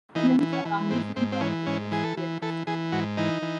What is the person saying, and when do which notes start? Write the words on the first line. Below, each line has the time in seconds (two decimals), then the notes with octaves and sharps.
The limbs are unusually long for tree squirrels.
0.15 E3 D#4
0.40 E3
0.53 C#4
0.65 E3
0.90 G#2 C4
1.16 G#2 C4
1.32 C4
1.41 E3 C#4
1.66 G#2 C#4
1.92 E3 G#4
2.04 A4
2.17 E3
2.42 E3 A4
2.67 E3 G#4
2.92 G#2 F#4
3.17 E3 D#4
3.42 E3